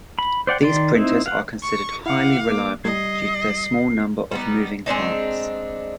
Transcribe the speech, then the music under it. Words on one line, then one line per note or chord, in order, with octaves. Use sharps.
These printers are considered highly reliable due to their small number of moving parts.
B5
C5 D5 F#5 G5
D#3 D5 C6
C4 D#4 E4
F5 F#5
C#6
E4 F5 F#5 D6
A#3 D6
G3 D#5 G#6 C7
G3 B3 D#4
G#3 C4 D4 D#4